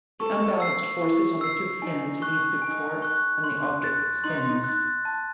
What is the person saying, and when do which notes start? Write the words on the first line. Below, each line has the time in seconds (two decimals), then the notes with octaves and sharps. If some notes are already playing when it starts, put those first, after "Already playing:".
The unbalanced forces on the two fins lead to torque and the object spins.
0.20 A4 C#6
0.60 E6 C7
1.00 E4 C#6
1.41 E6 C7
1.81 D#4 G#5
2.22 C#6 F#6
2.62 D#4 G#5
3.02 C#6 F#6
3.44 C6
3.83 F#6 A6
4.24 D#4 C6
4.64 F#6 A6
5.05 A5